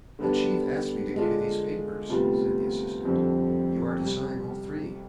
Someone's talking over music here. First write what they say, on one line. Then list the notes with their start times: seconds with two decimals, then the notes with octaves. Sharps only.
"The Chief asked me to give you these papers," said the assistant. "You are to sign all three."
0.19 D3 G3 B3 D4
1.14 D3 G#3 D4 F4
2.09 D2 C3 G3 B3 F4
3.05 F2 D3 G3 C4
3.99 C2 C3 G3